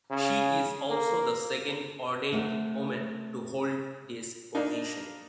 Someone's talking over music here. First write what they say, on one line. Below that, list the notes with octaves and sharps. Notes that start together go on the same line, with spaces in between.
She is also the second ordained woman to hold this position.
C#3
A#3
C3 A3 A#4 F#5
A#3 D4 D#4